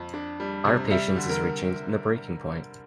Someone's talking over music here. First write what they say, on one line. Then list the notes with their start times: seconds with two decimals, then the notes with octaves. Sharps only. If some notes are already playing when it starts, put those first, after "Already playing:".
Our patience is reaching the breaking point.
Already playing: F2
0.14 D4
0.40 G3
0.65 C3
0.91 G3 E5
1.16 D3
1.30 A#4